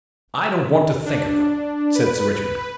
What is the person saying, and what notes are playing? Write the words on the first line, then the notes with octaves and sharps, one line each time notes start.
"I don't want to think of them," said Sir Richmond.
D4
B4